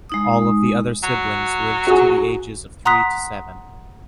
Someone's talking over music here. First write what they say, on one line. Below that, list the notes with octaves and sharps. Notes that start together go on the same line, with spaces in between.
All of the other siblings lived to the ages of three to seven.
G#3 D#4 D#6
F#3
F#4 G#4
F#5 A#5 C6 D#6 F#6 B6